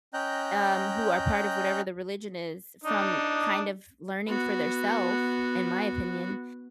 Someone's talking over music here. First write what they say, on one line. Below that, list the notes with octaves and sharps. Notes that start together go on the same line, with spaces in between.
um, who are part of whatever the religion is from kind of learning for their self, in my opinion.
C#4 D#5 G5 A#5 F#6 G6
D4 D#4
B3 F#4